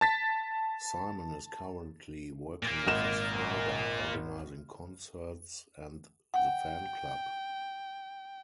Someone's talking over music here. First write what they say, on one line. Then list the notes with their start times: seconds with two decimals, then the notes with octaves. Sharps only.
Simon is currently working with his father, organising concerts and the fan club.
0.01 A5 A6 B6
2.62 A#2 A#3
2.87 G#1 F6 E7
6.34 F#5 G5